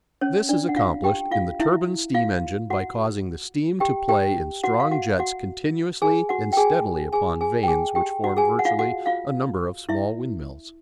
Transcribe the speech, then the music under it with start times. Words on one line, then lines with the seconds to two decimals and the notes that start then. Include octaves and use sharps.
This is accomplished in the turbine steam-engine by causing the steam to play in strong jets continuously and steadily upon vanes which form virtually a number of small windmills.
0.21 C#4 C#5
0.49 D4 D5
0.69 F#5
0.76 F4 F5
1.04 G4 G5
1.32 F4 F5
1.60 E4 E5
2.14 F4 F5
2.70 F#4 F#5
3.80 G4 G5
4.09 G4 G5
4.64 F#4 F#5
4.80 F5
4.91 F#4 F#5
5.20 F#4 F#5
6.02 G#4 G#5
6.29 F#4 F#5
6.53 G5
6.57 G#4 G#5
7.13 G#4 G#5
7.41 G#4 G#5
7.63 G5
7.68 G#4 G#5
7.95 G4 G5
8.24 F#4 F#5
8.37 G#4 G#5
8.59 F#5
8.65 F4 F5
8.79 F#4 F#5
9.06 F4 F5
9.89 E4 E5